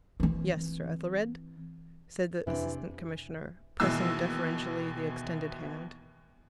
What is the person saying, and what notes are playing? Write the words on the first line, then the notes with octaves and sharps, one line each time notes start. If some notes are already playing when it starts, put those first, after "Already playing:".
"Yes, Sir Ethelred," said the Assistant Commissioner, pressing deferentially the extended hand.
E3 C4
F2 C3 E3 D4
D#2 B2 E3 G#3 E6